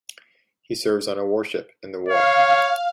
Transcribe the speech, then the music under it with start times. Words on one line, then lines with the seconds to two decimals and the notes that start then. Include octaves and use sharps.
He serves on a warship in the war.
2.08 C#5 F5